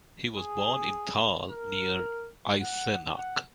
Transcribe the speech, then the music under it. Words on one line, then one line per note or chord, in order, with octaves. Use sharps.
He was born in Thal near Eisenach.
G#4
A#4
F#5
F#5